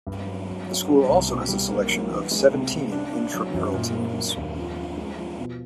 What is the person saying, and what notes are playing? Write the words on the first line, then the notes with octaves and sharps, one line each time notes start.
The school also has a selection of seventeen intramural teams.
G2
F#3
F#3
F#3
G3
C2
B2
G3
A#3
F#3
E3
G#3
C3
C3
D4
D4
F#3
F#2
A#2
A#3
F#3
D#2
F3
F3
G#3
F3
B2